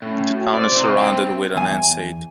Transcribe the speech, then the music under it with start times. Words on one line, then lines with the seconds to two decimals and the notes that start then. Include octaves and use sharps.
The town is surrounded with an enceinte.
0.02 A2 C#4
0.32 F#4
0.54 C5 D5
0.72 C3 C4 E4
0.97 A3 C4 G5
1.56 E2 G#5